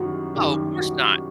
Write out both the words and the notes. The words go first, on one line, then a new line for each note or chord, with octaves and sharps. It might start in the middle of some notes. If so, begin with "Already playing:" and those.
Oh, course not.
Already playing: F#2 D#3 G3 E4 F#4
F#2 D#3 G3 G4
F#4